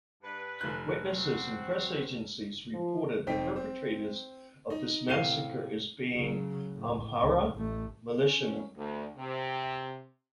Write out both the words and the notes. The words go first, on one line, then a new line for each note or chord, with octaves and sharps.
Witnesses and press agencies reported the perpetrators of this massacre as being Amhara militiamen.
G2 B4
F1 F#6
C4 F#4
F3
F1 C4 D#4 G5 B6
C4
D#4
A2 C3 F5 C7 D#7 G7
C#3 F#3
A2
C#2
A1 A3
C#4
D2
C3